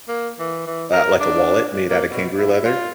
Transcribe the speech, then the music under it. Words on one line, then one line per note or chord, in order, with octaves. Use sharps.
uh like, a wallet made out of kangaroo leather.
A#3
E3
E3
A#4
D4
A#3
B2
E4
F4